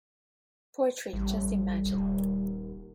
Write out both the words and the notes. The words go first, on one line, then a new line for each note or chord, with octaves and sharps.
Poetry, just imagine!
A1 G3
D#1